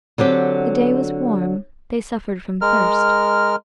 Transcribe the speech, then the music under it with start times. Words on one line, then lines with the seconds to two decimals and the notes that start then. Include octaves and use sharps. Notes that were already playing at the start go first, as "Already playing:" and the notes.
The day was warm; they suffered from thirst.
0.18 D3 F#3 C4 G4
2.62 G#3 A#4 F6